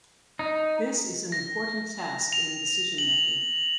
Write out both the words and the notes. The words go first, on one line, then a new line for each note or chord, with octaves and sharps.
This is an important task in decision making.
D#4
A#6
F7
F#7